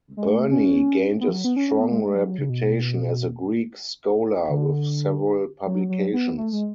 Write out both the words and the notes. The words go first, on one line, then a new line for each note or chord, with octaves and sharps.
Burney gained a strong reputation as a Greek scholar with several publications.
G#3
A3
C#4
B3
F3
F#3
B3
C#4
C#4
B3
G#3
G#3
F#3
F#3
C#3
B2
D3
F#3
F#3
B3
A3
G#3